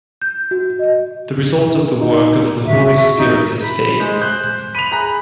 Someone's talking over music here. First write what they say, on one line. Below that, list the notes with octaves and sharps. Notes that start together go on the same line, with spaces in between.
The result of the work of the Holy Spirit is faith.
G6
F#4
D#5
D#4
F#4 E5
D#4
B5
G#3 C5
F#6 G6
B5 D#7 F7
G#4 A#5 B5 F#6